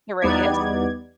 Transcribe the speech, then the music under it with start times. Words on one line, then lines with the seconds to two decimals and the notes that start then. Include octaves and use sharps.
The radius.
0.22 E2 G3 B3 D#4 D5 G#6